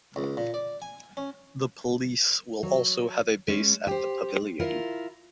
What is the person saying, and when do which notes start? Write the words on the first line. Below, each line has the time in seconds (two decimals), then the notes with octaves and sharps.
The police will also have a base at the pavilion.
0.16 C#2
0.37 A#2
0.54 D5
0.82 G#5
1.17 C#4
2.63 F#3
3.48 G#3 C#4
3.87 G4 C5
4.59 E4 F4 A#4